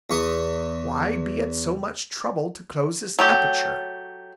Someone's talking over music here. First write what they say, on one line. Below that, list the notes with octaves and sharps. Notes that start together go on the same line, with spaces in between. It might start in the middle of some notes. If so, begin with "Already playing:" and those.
"Why be at so much trouble to close this aperture?"
E2 C#6 D#6
F#3 A3 G4